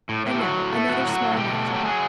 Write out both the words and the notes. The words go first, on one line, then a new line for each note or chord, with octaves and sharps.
And now, another small matter.
A2
A2
G4
F#3 F#4
A2
A3
A2 F#4
F#3
F#4
A2
B2 G4
A3
F#3
G4
F#3 G#4